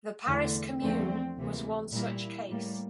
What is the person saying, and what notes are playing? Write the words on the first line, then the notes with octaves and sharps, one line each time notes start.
The Paris Commune was one such case.
E2 D3 A3
E2 D3 F3 A3 C4
D2 C3 E3 A#3
A#2 G3 A#3 E4
A2 G3 A#3